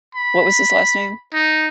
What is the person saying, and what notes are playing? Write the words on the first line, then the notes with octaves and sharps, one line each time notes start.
what was his last name?
B5
D#4